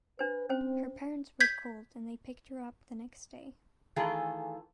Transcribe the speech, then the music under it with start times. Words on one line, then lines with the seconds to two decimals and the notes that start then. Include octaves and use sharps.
Her parents were called and they picked her up the next day.
0.19 D4 B4 C5
0.49 C4 C#4 C5
1.40 G6 G#6 B6
3.96 D#3 E3 A3 F4 G#4 A4